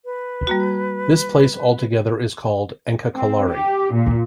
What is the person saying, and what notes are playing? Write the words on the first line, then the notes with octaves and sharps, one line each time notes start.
This place altogether is called AnkaKalari.
B4
G3 A#3 F#4
C4
G4
A#2